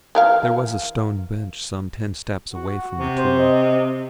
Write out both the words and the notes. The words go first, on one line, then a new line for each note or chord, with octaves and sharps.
There was a stone bench some ten steps away from the tomb.
E3 A#4 F5
F#4
F#4
C3
C5
D#5